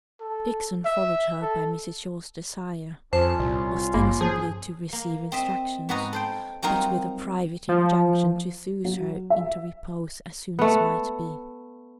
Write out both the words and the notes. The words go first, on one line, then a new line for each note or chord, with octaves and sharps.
Dixon followed her by Mrs. Shaw's desire, ostensibly to receive instructions, but with a private injunction to soothe her into repose as soon as might be.
A4
E5
A4
F2 C#4 F4 C5 A5
C2 A#2
G#1 G2 A#3
F3 G#4
A#3
C4 D#5 E5
G#2 B3 F#4 B4 D#5 A#5
A4 C5 G5
F#3 G3 C4 D#4 F4 A#4
F3
F#3
E5
A3 B3